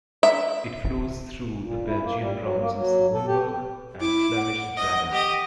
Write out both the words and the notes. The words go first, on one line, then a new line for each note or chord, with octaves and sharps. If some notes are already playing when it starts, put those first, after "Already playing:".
It flows through the Belgian provinces Limburg and Flemish Brabant.
E5
A#2
E4
A#3
G3
F#3
A#3
F#3
A4
G4
E4 D6
F#5
D#5
G4 D#5